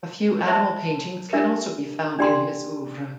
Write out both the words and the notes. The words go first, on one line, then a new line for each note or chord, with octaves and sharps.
A few animal paintings can also be found in his oeuvre.
C5 E5 A5 C6
D4 G4 A#4 E5
D4 G4 D5 G5 C6